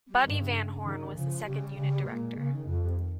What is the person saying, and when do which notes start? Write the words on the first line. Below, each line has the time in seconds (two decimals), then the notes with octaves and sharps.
Buddy Van Horn was the second unit director.
0.09 G3
0.24 G2 D#3
0.38 C#3
0.85 D#3
1.15 C#3 F3
1.45 C#3 G3
1.76 C#3
2.06 A#2 G#3
2.37 C#3 A#3
2.52 D#3
2.67 F2 F3
2.83 G3
2.98 D#3